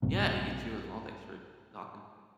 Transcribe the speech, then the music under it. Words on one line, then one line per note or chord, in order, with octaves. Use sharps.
Yeah, you too as well, thanks for talking.
A#1 G2 C3